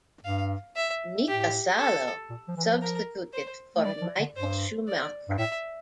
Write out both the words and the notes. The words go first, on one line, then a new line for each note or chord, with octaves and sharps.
Mika Salo substituted for Michael Schumacher.
G2 F5
E5
A2 G4
A4
A#2
F3
E3
F3
A#4
C5
A3
G3 D5
F3
D3
G2 C5
D5
G2
A2 E5